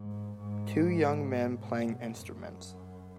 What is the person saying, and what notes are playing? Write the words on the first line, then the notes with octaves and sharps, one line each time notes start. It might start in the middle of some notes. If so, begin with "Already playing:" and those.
Two young men playing instruments.
Already playing: G#2
G#2
B2
F#2